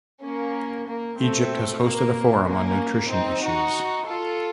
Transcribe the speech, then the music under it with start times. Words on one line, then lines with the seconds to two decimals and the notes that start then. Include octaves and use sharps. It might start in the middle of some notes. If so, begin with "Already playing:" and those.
Egypt has hosted a Forum on nutrition issues.
0.23 A#3 C#4
0.87 A#3
1.19 A3 C4
1.83 A#3
2.46 A#3 C#4
3.10 C4 D#4
3.42 D#4 F#4
4.06 F4 A4